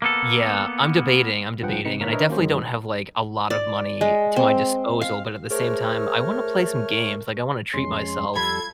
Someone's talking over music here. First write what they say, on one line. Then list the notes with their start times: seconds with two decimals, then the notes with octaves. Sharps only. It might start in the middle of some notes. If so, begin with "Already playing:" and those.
Yeah, I'm debating, I'm debating. And I definitely don't have, like, a lot of money to my disposal, but at the same time, I wanna play some games. Like, I wanna treat myself.
0.02 A#3 B3 A4
1.62 C2 G2 F3 B4 F#5 G5
1.85 C3 C4 D#4 B4 C#7
2.00 G1 G#2 A#3 A#4 C#5 B6
2.12 D4 A#4 B4 C#5 D#5 E5
2.28 D#3 A#3 C#4 F#4 C5
2.40 F#2 D#3 F#3 G#3
3.50 D5
4.01 G#3
4.36 C4
5.01 F5
5.51 A3 G#4 A#4 C5 C#5 F6
7.73 F2 G#3 C#4 C6
8.35 F2 G3 F4 A4 B5 G#6